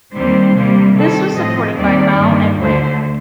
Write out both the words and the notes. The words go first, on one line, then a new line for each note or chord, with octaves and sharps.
This was supported by Mao and Wang.
D#2 D#3 G3 C4 C5
C3 G3 A#3
C3 D#3 G3 A4
A2 F3 C4 D#5
D#2 D#3 G3 C4 D5
G2 D#3 A#3
D2 D3 A3 C5